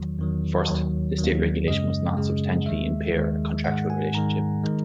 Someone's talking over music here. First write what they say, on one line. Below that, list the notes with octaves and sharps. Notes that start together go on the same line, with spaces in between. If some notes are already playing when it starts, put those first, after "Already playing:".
First, the state regulation must not substantially impair a contractual relationship.
Already playing: E2 D#3 F#3
E2 D#3 F#3
D#2 D#3 F#3
D#2 D#3 F#3
F#2 C#3 G#3 D#5
F#2 C#3 G#3
D#2 D#3 G#3 E5
D#2 D#3 G#3
G#2 D#3 G#3 F#5
G#5
G#2 D#3 G#3 A#5
D#3 G#3